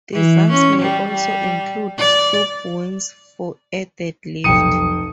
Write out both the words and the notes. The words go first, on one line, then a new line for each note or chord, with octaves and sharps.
Designs may also include stub wings for added lift.
E3
C#4
G3
G3
D5
F1 B1 G5 D#6 C#7 D#7